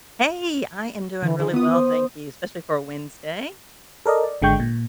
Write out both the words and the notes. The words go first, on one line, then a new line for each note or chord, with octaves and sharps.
Hey, I am doing really well, thank you, especially for a Wednesday.
D3 E3
D#3 G#4
B3 F4 D#6
C5
A4 A#4 D5 D#5
D5
G#1 D3 G#3 G5 C#6 G6
A#2